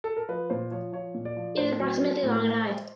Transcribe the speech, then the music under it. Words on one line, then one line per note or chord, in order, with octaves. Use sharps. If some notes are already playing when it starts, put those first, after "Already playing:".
It is approximately long and high.
A4
A#4
F3 B4
A#2 C5
F3 C#5
F3 C#5
A#2
D5
F3
A2 C5
F#3
F#3
A2